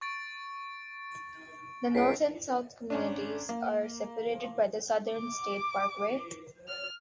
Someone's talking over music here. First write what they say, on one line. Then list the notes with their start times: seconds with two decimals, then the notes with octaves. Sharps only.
The North and South communities are separated by the Southern State Parkway.
0.01 C#6 A6 D7
1.95 C#2 B6 C7 D7
2.90 G#1 C#4 D4
3.49 A#3
5.12 D6
6.68 F6